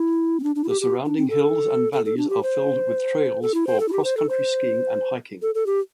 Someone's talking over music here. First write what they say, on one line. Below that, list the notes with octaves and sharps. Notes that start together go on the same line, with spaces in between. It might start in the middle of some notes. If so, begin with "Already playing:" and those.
The surrounding hills and valleys are filled with trails for cross-country skiing and hiking.
Already playing: E4
C4
D4
D4
E4
G4
G4
D4
C4
A4
A4
A4
D4
G4
C5
A4
E4
C5
A4
E4
G4
C5
A4
C5
A4
A4
G4